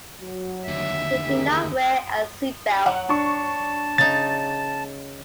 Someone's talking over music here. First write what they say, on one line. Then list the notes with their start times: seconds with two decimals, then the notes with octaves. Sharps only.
He did not wear a seatbelt.
0.20 F#3
0.68 D#2 D3 E5
1.26 G4 G#4 A#4
2.86 F#3 F#5
3.09 D4 A5 C#6
3.98 C#3 D#4 A6